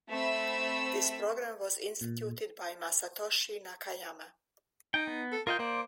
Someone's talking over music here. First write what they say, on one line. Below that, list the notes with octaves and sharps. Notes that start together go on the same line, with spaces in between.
This program was instituted by Masatoshi Nakayama.
A3 C4 E5 B5 E6
A#2
D#4 G5
B3
A4
F4 A#4 D#5 G5
A#3 C5 D5